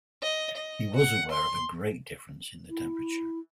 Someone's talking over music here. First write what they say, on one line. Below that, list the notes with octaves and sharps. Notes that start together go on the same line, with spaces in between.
He was aware of a great difference in the temperature.
D#5
D#5
F#5
C6
E4